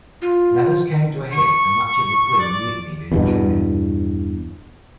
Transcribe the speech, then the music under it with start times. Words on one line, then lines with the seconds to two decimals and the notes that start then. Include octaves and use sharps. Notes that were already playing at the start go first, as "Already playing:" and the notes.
Matters came to a head and much of the crew mutinied in June.
0.22 F4
1.32 C#6
2.39 D5
3.12 E2 G2 B2